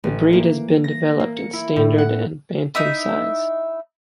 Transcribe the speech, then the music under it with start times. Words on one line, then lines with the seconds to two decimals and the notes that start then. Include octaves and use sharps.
The breed has been developed in standard and bantam size.
0.04 A1
0.33 A#3
0.84 A#6
1.20 A#3
1.37 C#7
1.53 E4
1.76 A2
1.98 F#5
2.75 D#4 E4 E5 D#6